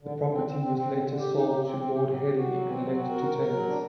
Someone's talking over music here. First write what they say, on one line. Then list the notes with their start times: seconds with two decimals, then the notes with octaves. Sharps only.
The property was later sold to Lord Henley and let to tenants.
0.03 D3
0.17 D3
0.32 C4
0.46 C4
0.62 C4
0.76 C4
0.91 D3
1.05 D3
1.19 G4
1.34 D#4
1.49 G4
1.63 C4
1.78 C4
1.93 G4
2.07 F#3
2.22 G4
2.36 F#4
2.51 F#3
2.66 C4
2.80 F#3
2.95 F#4
3.10 A#4
3.24 A#4
3.38 A#4
3.53 F#3
3.68 D4